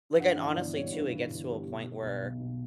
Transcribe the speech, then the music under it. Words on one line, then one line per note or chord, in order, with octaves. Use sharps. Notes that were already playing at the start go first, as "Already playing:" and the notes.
like, and, honestly, too, it gets to a point where
G2 F#5
E3 E5
G1 D5
G3 C#5
G2 B4
E3
G1
G3
B2
G3
B1
B1
B2